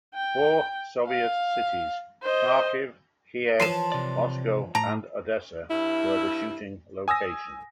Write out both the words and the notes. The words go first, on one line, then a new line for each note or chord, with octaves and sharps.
Four Soviet cities - Kharkiv, Kiev, Moscow and Odessa - were the shooting locations.
G5
F5
C5 D#5
E3 F3 C#5 A5 C6 C7 D#7 E7
C3 D5
A2 A5 A#5
G2 E4
G#5 D#6 E6 A#6